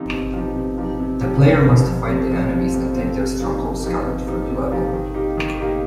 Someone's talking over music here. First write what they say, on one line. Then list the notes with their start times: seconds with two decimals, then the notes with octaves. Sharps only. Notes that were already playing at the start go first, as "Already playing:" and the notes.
The player must fight the enemies and take their strongholds scattered through the level.
Already playing: C3 F3 D#4 G4
0.12 C3
0.34 F3 D#4 G4
0.56 C3
0.78 F3 D#4 G4
0.99 C3
1.21 F3 D#4 G4
1.43 F2
1.65 C3 F3 C4
1.87 F2
2.08 C3 F3 C4
2.31 F2
2.52 C3 F3 C4
2.74 F2
2.96 C3 F3 C4
3.18 C3
3.40 F3 A#3 D#4 G4
3.62 C3
3.83 F3 A#3 D#4 G4
4.06 C3
4.27 F3 A#3 D#4 G4
4.50 C3
4.71 F3 A#3 D#4 G4
4.93 D#3
5.14 A#3 D#4 G4
5.37 D#3
5.58 A#3 D#4 G4